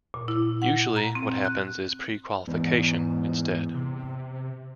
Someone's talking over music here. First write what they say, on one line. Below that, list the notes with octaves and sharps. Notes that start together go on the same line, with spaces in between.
Usually, what happens is pre-qualification, instead.
A#2
E4
F#5
A#5
C4
F#6
E2 G#2
C3